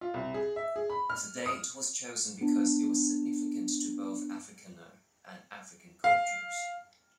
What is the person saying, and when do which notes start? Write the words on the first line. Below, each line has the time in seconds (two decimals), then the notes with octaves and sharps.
The date was chosen because it was significant to both Afrikaner and African cultures.
0.01 F4
0.14 C2
0.34 G#4
0.56 E5
0.76 G#4
0.90 B5
1.09 F6
1.46 D#6
2.41 B3 D4
6.04 F5